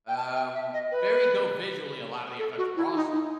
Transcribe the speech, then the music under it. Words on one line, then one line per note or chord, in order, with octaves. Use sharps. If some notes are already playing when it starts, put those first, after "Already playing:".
Um, very dope visually, a lot of the effects were awesome,
G5
A5
G5
E5
D#5
B4
A4
F#4
E4
D#4
D#4